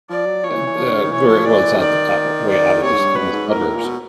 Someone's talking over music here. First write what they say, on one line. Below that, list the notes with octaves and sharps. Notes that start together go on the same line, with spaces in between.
uh, and, uh, very well, it's out it's out o way out of the s in the suburbs.
F3 D5
F#3
F3 C#5
D#3
E3
E3
F3
D#3
D3
D#3
E3 C#5
F3
E3 D5
D#3 D5
D5
C3 C#5
G#2
G2
F#2 B4
G#2
A2 A#4
G#2
A2
A#2
B2